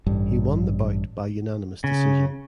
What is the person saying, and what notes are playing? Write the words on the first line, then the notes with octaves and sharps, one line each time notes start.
He won the bout by unanimous decision.
A1 G2
C#3